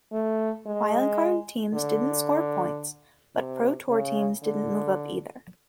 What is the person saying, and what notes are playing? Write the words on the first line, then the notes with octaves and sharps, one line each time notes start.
Wildcard teams didn't score points, but ProTour teams didn't move up either.
A3
G#3
D3
C3
C#3
D3